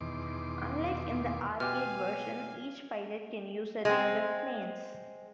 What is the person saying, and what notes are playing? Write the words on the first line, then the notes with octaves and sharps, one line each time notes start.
Unlike in the arcade version, each pilot can use a range of planes.
E2 B2 D#3 C6 D6
B2 G4 F5 G#5 F6
G#3 C4